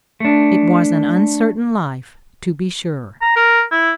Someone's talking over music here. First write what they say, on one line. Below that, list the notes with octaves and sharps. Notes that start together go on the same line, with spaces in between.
It was an uncertain life, to be sure.
A3 D4
A#5
A#4
E4